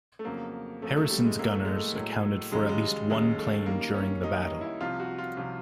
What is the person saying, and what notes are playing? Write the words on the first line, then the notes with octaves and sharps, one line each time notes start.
"Harrison"'s gunners accounted for at least one plane during the battle.
A3
F2 C#3 F#3 A#3
F2 C#3 F#3 A3
A3
G3
G#3
A2 F#3 A#3
A3
G#3
A3
A2 F#3
D#2 C#3 F#3 G#3
G3
G#3
D#2 C#3 F#3 G#3
A3
F#2 D#3 G3 A#3
C#4
F#2 D#3 G3 D#4
D#4
E4
C2 C3 F3 F4
F#4
F4
C2 C3 F3